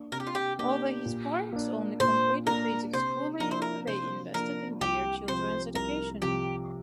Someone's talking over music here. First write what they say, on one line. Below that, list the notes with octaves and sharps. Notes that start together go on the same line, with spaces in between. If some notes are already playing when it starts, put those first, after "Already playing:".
Although his parents only completed basic schooling, they invested in their children's education.
Already playing: A#3 D4
C3 A#4
G4
F4
G4
A#3 D4 G4
A#2
A#3 D4
A#2 C5
A#3 D4 A#4
C3 C5
F3 A#3 D4 A#4
C5
A#4
C3 C5
F3 A#3 D4 A#4
C2 G4
C3 F3 C5
C2 A#4
C3 F3 G4